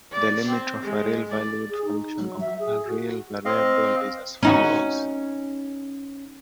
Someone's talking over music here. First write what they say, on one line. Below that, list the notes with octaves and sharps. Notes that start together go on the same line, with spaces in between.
The limit of a real-valued function of a real variable is as follows.
D5
C4
G#3
D5
G#4
D#4
F#3
E5
G#4
F#4
C4 D#5 F5
C#4 D#4 F#4